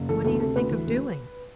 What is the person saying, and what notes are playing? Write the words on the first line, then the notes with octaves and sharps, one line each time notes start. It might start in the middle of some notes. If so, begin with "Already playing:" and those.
'What do you think of doing?'
Already playing: F#1
E3 A4
D2 A4
C3 A4
D2 B4
E3
D2